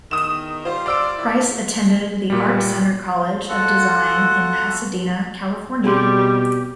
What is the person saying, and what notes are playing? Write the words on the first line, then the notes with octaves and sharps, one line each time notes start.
Price attended the Art Center College of Design in Pasadena, California.
E2 D#3 D#6 E7
G3 F4 C5
D5 E6 D7
D#3 F#3 E4
A#2 G3
F4 F#4 A4 F#5
B2 G3 C4 G4 G#4